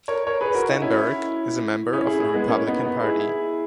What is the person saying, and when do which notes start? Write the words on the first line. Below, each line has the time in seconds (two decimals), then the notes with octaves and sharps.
Stenberg is a member of the Republican Party.
0.08 A#4 C#5
0.27 A#4 C#5
0.41 G#4 B4
0.54 F#4 A#4
0.68 D#4 F#4
0.82 C#4 E4
1.93 C#4 E4
2.07 E4 G#4
2.20 E4 G#4
2.34 G#3 B3
2.48 A#3 C#4
2.67 B3 D#4
2.85 B3 D#4
3.03 E4 G#4